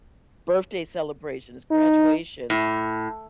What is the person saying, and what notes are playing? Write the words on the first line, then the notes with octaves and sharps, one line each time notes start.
birthday celebrations, graduations,
D#4
A2